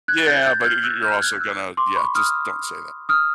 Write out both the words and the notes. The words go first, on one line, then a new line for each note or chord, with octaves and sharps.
Yeah, but y you're also gonna yeah, just don't say
F#6 G#6
G6 A6
G6 A6
G#6
F6 G6
E6 F#6
F6 G6
F#6 G#6
E6 F#6
C6 D6
B5 C#6
D#6 F6
D#6 F6